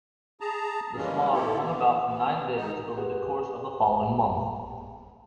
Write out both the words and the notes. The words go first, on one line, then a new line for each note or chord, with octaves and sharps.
The smog hung about for nine days over the course of the following month.
G#4 A5 A#5
E3 G3 G#3 A#3 C#4
D#3 E4 G4 A4
A#3 B3
E3 B3
D#4
G4 G#4 B4 F#5